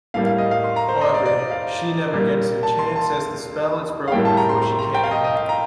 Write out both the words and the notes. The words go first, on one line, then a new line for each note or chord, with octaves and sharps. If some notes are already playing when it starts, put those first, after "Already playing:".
However, she never gets a chance as the spell is broken before she can.
A2 G3 A#3 F5
F5
D#5
F5
C6
A#5
C5
D#5
D5
D5
D#5
F5
A#2 G3 A#3
A5
C6
A5
F5
A2 G3 A#3 G5
A5
A#5
C6
C6
A#5
G5
F5
D#5
D#5
F5
A#5